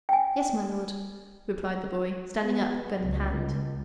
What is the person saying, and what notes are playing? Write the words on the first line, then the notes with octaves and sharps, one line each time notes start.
"Yes, my Lord," replied the boy, standing up, gun in hand.
G5 G#5
B3
C#2